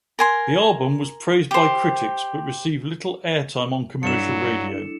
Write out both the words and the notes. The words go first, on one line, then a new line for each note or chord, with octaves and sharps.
The album was praised by critics but received little airtime on commercial radio.
A#4 G#5 C6
G4 C5
G2 F#3 D4 E4 A4 C#7 E7